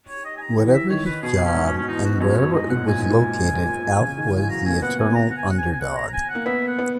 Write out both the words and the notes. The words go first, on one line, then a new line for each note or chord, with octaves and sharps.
Whatever his job and wherever it was located, Alf was the eternal underdog.
C#5
D#5
G#5
A#5
E3
E5
D#3 C#5
B4
B2 G#4
C#4
G#2
C#4
C#4
E2 D#4
F#4
F#2 C#5
C#5
G#2 D#5
A#2
F#5
G#2
A#2 G#5
G#2 G#5
A#2
G#2
C#3
D#3
E3
G#5
F#3 A#5
A#3 G#5
B3 F#5
G#5
A#5
F#5
G#5
F#5
G#5
G#5
F#5
A#5
A#5
G#5
F#5
A#3
B3 E5
F#5
B3